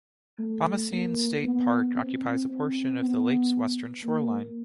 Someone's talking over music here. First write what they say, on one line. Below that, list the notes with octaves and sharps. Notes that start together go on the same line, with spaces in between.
Bomoseen State Park occupies a portion of the lake's western shoreline.
A3
A#3
B3
C4
C4
B3
A#3